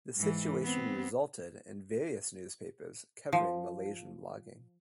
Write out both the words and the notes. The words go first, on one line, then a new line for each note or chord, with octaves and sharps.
The situation resulted in various newspapers covering Malaysian blogging.
G#2 E3
B3 C4
F3